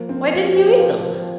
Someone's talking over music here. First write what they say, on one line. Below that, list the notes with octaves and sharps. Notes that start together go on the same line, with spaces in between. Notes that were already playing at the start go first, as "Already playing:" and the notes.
"Why didn't you eat them?"
Already playing: F3 A#3
C4
F4
G4
F4